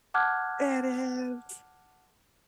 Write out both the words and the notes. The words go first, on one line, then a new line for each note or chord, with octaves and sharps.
It is.
F#5 A5 D6 F6 F#6 G#6